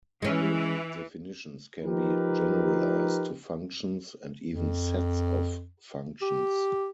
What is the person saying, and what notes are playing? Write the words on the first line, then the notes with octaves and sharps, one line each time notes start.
The definitions can be generalized to functions and even sets of functions.
E3 G#3 C#4
F3 D#4 G4 A#4 B4
F2
G4